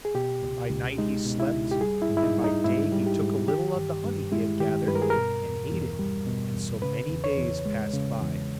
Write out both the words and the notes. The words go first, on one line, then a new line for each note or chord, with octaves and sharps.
And by night he slept, and by day he took a little of the honey he had gathered and ate it; and so many days passed by.
G#4
B2 G4
C#2
C#2
G#3 D#4
B2
E4
C#2
G4
G3 G#4
E4
G#2
E4
D#4
G3
D#4
G#2 E4
G3
G4
G#2
D#3 G4
G2
G2
G#3 E4
D#3 G4
G2 B4
A#4
G#4
A#4
B2
E2
E2
G3
B2
E2
C#3 B4
E2
C#5
E2
G#3
C#3
E2